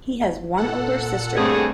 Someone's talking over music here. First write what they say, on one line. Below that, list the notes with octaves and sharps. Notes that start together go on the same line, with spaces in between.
He has one older sister.
A#2 A4 F#5
G2 C#3 A3 C4 G#4